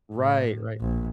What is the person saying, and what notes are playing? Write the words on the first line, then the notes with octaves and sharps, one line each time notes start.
Right, right.
A2
A#1